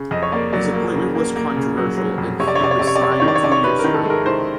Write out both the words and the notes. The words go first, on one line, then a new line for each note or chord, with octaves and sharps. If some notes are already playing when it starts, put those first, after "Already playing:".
His appointment was controversial and he resigned two years early.
Already playing: C#3
F2 D#5
C#5
A#3 D5
F#3 D5
A#3
C#3
A#3
A#3
C#3
F#3
F#3
F2
C3 C#5
D5
C#5
C3 D5
C#5
C3 D5
C#5
D5
C3 C#5
D5
D#3 C#5
D5
C#5
C3 D5
C#5
C3 B4
A#4
D#3
A4
G#3
A#4
D#3 C5